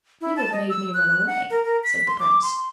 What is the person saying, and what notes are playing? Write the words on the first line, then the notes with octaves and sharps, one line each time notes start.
'You have made me run away,' said the prince.
E4
A5
D#5
E6
F#6
F#5
A#4
A#4
B6
C6
D6
C6